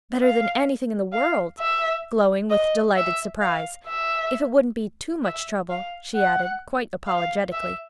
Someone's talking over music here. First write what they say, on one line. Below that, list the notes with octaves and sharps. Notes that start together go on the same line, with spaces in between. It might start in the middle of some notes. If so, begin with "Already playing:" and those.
"Better than anything in the world," glowing with delighted surprise. "If it wouldn't be too much trouble," she added, quite apologetically.
F5
F5
E5
D#5
E5
F5
E5
E5
F5
F#5
F5
E5